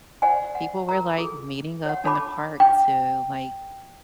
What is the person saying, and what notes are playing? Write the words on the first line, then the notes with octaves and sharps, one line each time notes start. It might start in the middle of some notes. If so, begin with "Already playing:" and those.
people were, like, meeting up in the park to, like,
C5 D5 F#5 G#5
F#5
A#4 A#5
G#4 A4
C#5 F#5
D4 A4 C#5 A5 B5 D6
G5